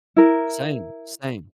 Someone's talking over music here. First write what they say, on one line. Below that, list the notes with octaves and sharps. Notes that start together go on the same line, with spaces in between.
Same, same.
E4 A#4